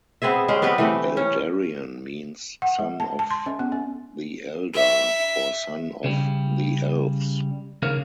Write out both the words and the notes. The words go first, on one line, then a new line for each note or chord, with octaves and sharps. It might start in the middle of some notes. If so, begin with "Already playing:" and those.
"Eldarion" means "Son of the Eldar" or "Son of the Elves".
B3 C4 G#4 E5
G#3 C#4 G4 C5
B3 C4 G4 B4
E3 A3 C4
C#4
F#5
G#3
A5
A5
C6
C#4
B3
C#4
E5
C#3 G3
D#2 C#3 A#3 F5